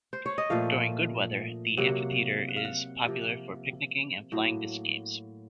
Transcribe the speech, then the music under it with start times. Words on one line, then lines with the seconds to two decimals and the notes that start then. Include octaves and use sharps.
During good weather, the amphitheater is popular for picnicking and flying disc games.
0.13 C5
0.26 C#5
0.38 D#5
0.50 A#2 F3 A3 F5
1.77 C3 F#3 A#3 F#5
2.49 F#5
2.56 F5
2.65 F#5
3.05 C3 F3 A#3
4.32 A2 F#3 A#3